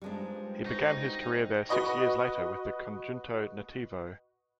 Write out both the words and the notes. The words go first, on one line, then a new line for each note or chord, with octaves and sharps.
He began his career there six years later with the Conjunto Nativo.
G2 F3 G3 G#3 D4 D#4
C4 D#4 F#4 B4
F#4 B4 D#5 C#6